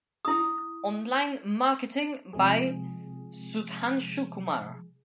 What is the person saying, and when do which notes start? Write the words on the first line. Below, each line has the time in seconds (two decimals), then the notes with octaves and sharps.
Online Marketing by Sudhanshu Kumar.
0.25 E4 D#6
2.33 C3 F3 G#3 G#4